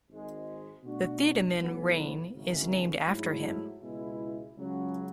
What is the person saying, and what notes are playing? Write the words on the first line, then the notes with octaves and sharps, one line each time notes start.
The Thiedemann rein is named after him.
G#1 G#2 G#3
B2 A3 D4 F#4
B1 A2 E3 B3
G#1 F#2 C#3
G#2 F#3 A3 E4
C#2 B2 G#3 B3 E4
C#2 C#3 F#3 C#4